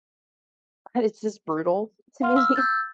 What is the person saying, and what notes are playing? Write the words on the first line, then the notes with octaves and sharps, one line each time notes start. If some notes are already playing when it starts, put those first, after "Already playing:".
it's just brutal to me.
F5 F#5 C6 F6
E6 F6
E6 G6 A6